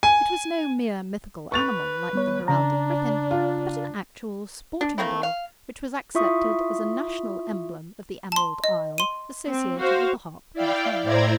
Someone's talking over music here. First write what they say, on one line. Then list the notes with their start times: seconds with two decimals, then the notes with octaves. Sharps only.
It was no mere mythical animal like the heraldic griffin, but an actual sporting dog which was accepted as a national emblem of the Emerald Isle, associated with the harp and the shamrock.
0.03 G#5
1.52 B4 C#6 A6 F7
2.13 G3 B3 C#5
2.48 C#3 D4 A#5
3.31 F4
4.81 D4
4.98 A3 A#3 C4 E4
5.23 F5
6.15 E4 F4 E5 C#6 D#6
8.32 A5 C6
8.64 D#5
8.98 C6 D#7
9.48 C4
9.80 F#4 C5 F5
10.53 E4 D5 F5 G5
11.03 A2 E4 C5 D5 A#5 G#6